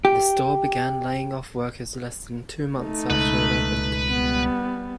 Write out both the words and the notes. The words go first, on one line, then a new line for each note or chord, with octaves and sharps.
The store began laying off workers less than two months after it opened.
G4
A3 D#4
C#2 B2 B4
G3 B3